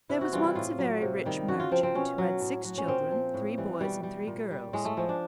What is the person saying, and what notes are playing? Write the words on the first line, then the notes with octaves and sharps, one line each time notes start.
There was once a very rich merchant, who had six children, three boys and three girls.
C3 E4
F#4
E3 G3 F4
E4
A2 F4
F#3
C3
D#3 G3
C#3 F#4
F4
F3 C4
C4
B2 C#4
F#3
A2
F#3
C#4
A#2 C4
F3
A2
E3 G3
B2 G3
G3
A#2
G3
A2 G#3
A3
F3 G#3
D4